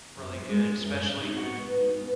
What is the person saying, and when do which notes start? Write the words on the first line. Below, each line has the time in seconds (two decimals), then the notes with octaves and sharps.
really good, especially when,
0.17 F#2
0.33 C5
0.49 G#3
0.69 D4
0.84 F#2
1.01 D4
1.20 D#4
1.37 F#4
1.58 B3
1.80 D#4
1.97 B3